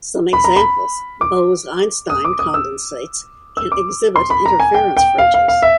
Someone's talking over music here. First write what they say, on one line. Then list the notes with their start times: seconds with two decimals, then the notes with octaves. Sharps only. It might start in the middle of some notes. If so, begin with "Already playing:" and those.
Some examples: Bose-Einstein condensates can exhibit interference fringes.
0.33 B5
0.44 A#5
0.56 B5
1.21 D6
2.10 D#6
2.25 D6
2.39 D#6
2.54 E6
3.57 E6
3.72 D6
4.16 C6
4.30 B5
4.46 A#5
4.60 G#5
4.74 G5
4.97 G5
5.18 F5
5.34 F5
5.48 F5
5.62 E5